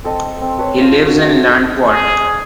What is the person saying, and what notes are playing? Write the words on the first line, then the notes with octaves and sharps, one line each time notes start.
He lives in Landquart.
C4 A4 D#5
C4
A4 B4 C#5
F4 C5
F#4
E5
G#4